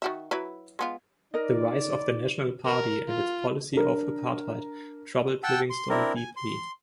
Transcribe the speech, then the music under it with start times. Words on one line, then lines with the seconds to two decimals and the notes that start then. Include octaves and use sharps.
The rise of the National Party and its policy of Apartheid troubled Livingstone deeply.
0.02 D#3 F#4 E5
0.31 F#3 E4 B4
0.79 G#3 B3 F4
1.34 D#4 A#4 D5 D#5
2.66 A#4
3.09 F4
3.73 D4 A#4
5.44 F#5 G5 A5 E6
5.70 C6
5.89 C4 D4 E4 A#4
6.16 G#5
6.37 C6